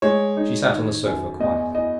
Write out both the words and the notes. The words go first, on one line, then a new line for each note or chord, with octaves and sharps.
She sat on the sofa quietly.
G#3 C#5
D#4
D#3
F#2
E2 D#5
E4 D#5